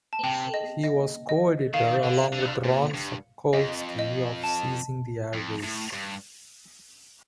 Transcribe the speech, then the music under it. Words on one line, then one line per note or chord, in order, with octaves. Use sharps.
He was coeditor along with Ron Sakolsky of Seizing the Airwaves.
A5
C3 G5
D#5
D#5
D#5
D#3 F5
D3
D3
A#2
G2
F2 D#5
D#5
A5
F2
A2
G2